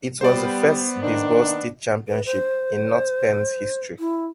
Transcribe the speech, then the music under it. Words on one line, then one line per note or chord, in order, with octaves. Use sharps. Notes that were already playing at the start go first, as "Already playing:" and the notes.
It was the first baseball state championship in North Penn's History.
G3 B3 C5 D5
D#3 A#3 B3 D4
B4
C5
E4